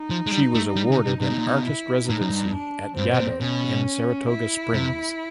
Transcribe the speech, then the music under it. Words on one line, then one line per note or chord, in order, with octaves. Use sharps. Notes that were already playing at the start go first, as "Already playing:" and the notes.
She was awarded an Artist Residency at Yaddo in Saratoga Springs.
Already playing: D#4
F3
G#3
G3
A3
G3
C#3
C3
C3 D#4
B2
A#2
B2
E4
A2 D#4
F#2
G2
D4
G2 C4
B2
A#2
B2 C#4
E4
C3